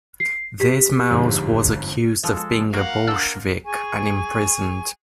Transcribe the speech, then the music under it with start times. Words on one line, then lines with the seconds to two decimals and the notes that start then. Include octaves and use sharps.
This mouse was accused of being a Bolshevik, and imprisoned.
0.20 C7
0.60 G4 B6
1.10 G1 F2 G#2
2.23 F3 G#3 A4
2.73 A#3 F#4 A#4 F5 F#5
3.07 D4 C5 E6
3.65 G#4 G#5 C#6